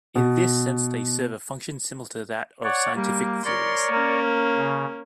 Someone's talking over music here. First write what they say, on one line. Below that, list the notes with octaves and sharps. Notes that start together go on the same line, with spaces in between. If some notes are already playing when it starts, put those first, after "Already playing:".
In this sense, they serve a function similar to that of scientific theories.
B2
C#5 D5 F#5
G3 A#3
A#4 C#5 D5 C6
A#3 C#4
C#3